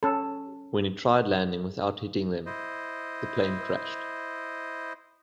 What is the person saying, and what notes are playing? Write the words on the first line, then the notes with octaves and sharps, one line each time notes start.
When he tried landing without hitting them, the plane crashed.
C#4 A4
E4 C5 D#5